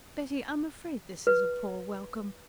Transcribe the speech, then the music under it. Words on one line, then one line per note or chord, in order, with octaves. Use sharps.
Betty, I'm afraid this is a poor welcome.
B4